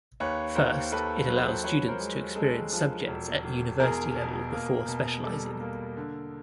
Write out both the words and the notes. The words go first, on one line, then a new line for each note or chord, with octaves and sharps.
First, it allows students to experience subjects at university level before specialising.
D#2 B4 C#5
D#2 A#4 C5
D#2 A4 B4
F#3 B4
C5
A4 B4
F3 B4 C#5
A#4 C5
G#3
G#3 A4
F3
E1
E1
E2 G#4 A#4
B2
A#3
B2
G3 A4
A#3
D3